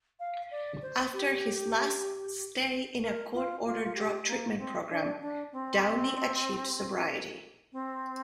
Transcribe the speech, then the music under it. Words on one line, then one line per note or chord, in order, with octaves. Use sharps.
After his last stay in a court-ordered drug treatment program, Downey achieved sobriety.
F5
D5
C5
G4
A#4
F4
F4
F4
G4
A#3
C4
D4
D4
C4
C4